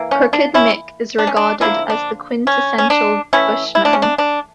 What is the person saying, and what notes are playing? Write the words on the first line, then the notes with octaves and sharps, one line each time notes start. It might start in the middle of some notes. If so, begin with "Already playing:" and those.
Crooked Mick is regarded as the quintessential bushman.
Already playing: E3 A#3
C#4
D4
C#4 E4
D4
C#4
D4
D3 F3 A#3 C#4 E4
D4
C#4
C#4
D4
E3 A3 C#4 E4
E4
D4
C#4
D4
D4